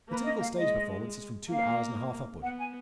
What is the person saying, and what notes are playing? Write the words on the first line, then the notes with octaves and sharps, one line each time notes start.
The typical stage performance is from two hours and a half upward.
A#3 B4
D#5
F5
G#3 D#5
A#3 F5
B3 F#5
G#5